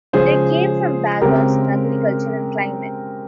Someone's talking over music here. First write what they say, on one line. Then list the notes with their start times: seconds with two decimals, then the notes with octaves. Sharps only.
They came from backgrounds in agriculture and climate.
0.13 C#3 F3 G#3 C#4 G#4 C5
1.21 C#3 G#3 C4 G4 A#4